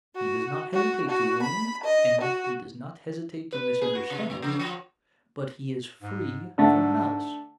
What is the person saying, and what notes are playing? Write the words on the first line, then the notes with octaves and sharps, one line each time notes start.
He does not hesitate to wound and he does not hesitate to misunderstand, but he is free from malice.
F#4
F#4
F#4
B5
D#5
F#4
B4
G#4
F#4
C3
F#3
C#3
F3
G#2
G#2 D3 A3